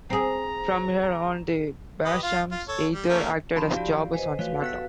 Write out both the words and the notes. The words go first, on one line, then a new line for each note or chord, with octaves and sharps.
From here on, The Bashams either acted as jobbers on SmackDown!
C4 G#4 A#5
G4 B4 D#5
F4 F5
F4
A4 C#5
G3
A3 A#3 C#4
F3 D4 E4 F4 A5 B5 C6
F#4 G4 D5 F5
B4 C5 D#5 G#5
E3 F3 A3 F#4 B4 C#5 F5
B3 G4 A4 F#5 F#6 B6